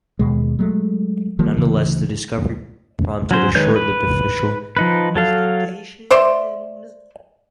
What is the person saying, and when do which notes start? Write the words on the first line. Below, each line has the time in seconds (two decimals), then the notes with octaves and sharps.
Nonetheless, the discovery prompted a short-lived official investigation.
0.19 D#2 B2 G#3
0.59 F#3 G#3 A3
1.39 D#3 F3 G3 A#3
1.57 D2 C#3 E3
3.31 F#3 C#4 C5
3.55 D#3 G#3 B4 C#5 G6
3.76 B4
4.77 F3 D#4 B4
5.15 F#3 A4 F5
6.11 C5 D5 E5 C6